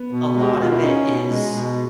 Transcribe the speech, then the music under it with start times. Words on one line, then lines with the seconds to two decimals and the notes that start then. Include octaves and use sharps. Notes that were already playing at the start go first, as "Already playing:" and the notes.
a lot of it is
Already playing: B3
0.12 B2
0.36 G#3
0.42 G4
0.52 F#4
0.59 B2 F4
0.72 E4
0.83 C#4 D#4
1.06 B2
1.30 G#3
1.53 B2